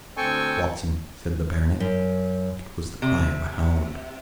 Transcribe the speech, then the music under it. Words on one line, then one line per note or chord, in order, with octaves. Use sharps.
"Watson," said the baronet, "it was the cry of a hound."
D2 C4 A4 G5 G#5 C#6
F#2
C3